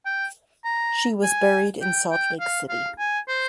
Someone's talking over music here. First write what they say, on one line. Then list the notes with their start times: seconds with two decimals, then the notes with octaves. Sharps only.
She was buried in Salt Lake City.
0.06 G5
0.65 A#5
1.23 G#5
1.82 G5
2.11 G5
2.40 F5
2.69 F5
2.99 G#5
3.28 C5